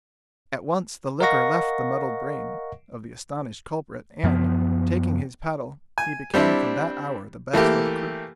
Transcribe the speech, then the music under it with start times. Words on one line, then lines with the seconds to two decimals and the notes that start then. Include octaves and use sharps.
At once the liquor left the muddled brain of the astonished culprit, and, taking his paddle, he became from that hour the best of the crew.
1.20 A#4 D#5 F5 F#5 C#6 A#6
4.24 F#2 F3 B3
5.98 G#5
6.34 G3 C4 D4 E4
7.53 E3 A3 A#3 G4